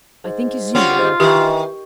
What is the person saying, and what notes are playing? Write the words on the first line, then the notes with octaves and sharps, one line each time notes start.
"I think as you about that."
G#2
G3 C4 C#4 F4 F#4
G#2
D#3 E3 G4